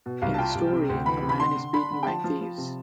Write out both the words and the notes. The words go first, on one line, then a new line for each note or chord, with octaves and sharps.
In the story a man is beaten by thieves.
B2
C2 F5
A5
F4 G5
C2
C3
D2
E3 B5
C3
B5
D3 C6
D3
D4 B5
D3
G5
F3 A5
F3
F3
C3